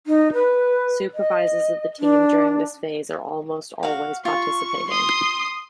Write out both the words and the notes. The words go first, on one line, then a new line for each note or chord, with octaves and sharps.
Supervisors of the team during this phase are almost always participating.
D#4
B4
D#5
D4
F#4 F5
F4 C#6
C6 D#6